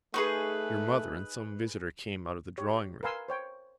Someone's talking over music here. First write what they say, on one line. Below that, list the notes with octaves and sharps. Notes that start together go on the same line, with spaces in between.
Your mother and some visitor came out of the drawingroom.
A3 D#4 G#4 B4 C#6
G4 C#5
A#4 B4 F5 G#5 C6 E6
C5 C#5 G5